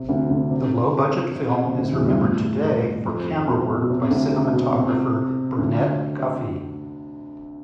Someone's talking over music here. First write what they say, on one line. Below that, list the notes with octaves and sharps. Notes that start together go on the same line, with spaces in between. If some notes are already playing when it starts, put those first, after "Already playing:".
The low-budget film is remembered today for camera work by cinematographer Burnett Guffey.
Already playing: C3
D2 D3
D2 D3
C3
D3
C3
C3
B2
C3
D2 D3
E2 E3
G2 G3
A2 A3
F2 F3
B2
B2
C3
D2 D3
B2
C3
D2 D3